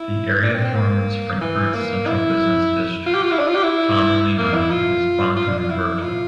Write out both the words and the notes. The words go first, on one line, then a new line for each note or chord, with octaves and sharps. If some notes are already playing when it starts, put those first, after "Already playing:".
The area forms Frankfurt's central business district, commonly known as Bankenviertel.
Already playing: E4
D4
C4
C4
A#3
E3
A#3
E4
F4
G4
F4
E4
D4
F4
G4
E4
A#3
E4
F4
F4
D4
F4
E4
F4